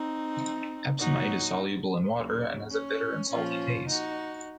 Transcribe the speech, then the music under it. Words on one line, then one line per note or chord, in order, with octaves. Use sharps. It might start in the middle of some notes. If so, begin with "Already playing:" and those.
Epsomite is soluble in water and has a bitter and salty taste.
Already playing: C4 D#4
A#2 F#3 D#4 F#4
D#2 C#3 F#3
C#4
A#2 F3 C#4 F4
D#4 F#4